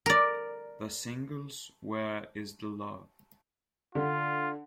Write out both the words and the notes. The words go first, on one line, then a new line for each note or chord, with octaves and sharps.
The singles Where Is The Love?
A#4 D5
D3 F4